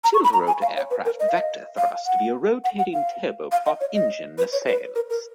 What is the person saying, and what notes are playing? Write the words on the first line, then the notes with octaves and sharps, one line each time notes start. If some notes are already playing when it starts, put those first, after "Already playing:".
Tiltrotor aircraft vector thrust via rotating turboprop engine nacelles.
A#5
C#6
B5
A#5
G#5
F5
C#5
B4
A#4
D#5
F5
D#5
F5
F#5
F#5
F#5
F5
F5
D#5
C#5
D#5
B4
C#5
B4
A#4
A#4